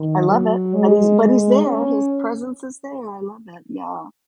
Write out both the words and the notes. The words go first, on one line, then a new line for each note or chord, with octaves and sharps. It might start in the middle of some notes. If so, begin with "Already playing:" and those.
I love it. But he's but he's there. His presence is there. I love it, yeah.
Already playing: D#3
F#3
G#3
G#3
C#4